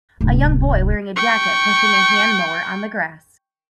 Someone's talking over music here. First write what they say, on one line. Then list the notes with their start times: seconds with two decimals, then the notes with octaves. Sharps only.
A young boy wearing a jacket pushing a hand mower on the grass.
0.21 D1 C2
1.16 G5 C#6